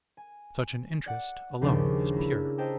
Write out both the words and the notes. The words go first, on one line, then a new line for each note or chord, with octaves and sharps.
Such an interest alone is pure.
G#5
D5 F#5
D#2 C#3 F3 D4 G4 C#6
A#3 E4
C5 D#5 E5 G5 A5 A#5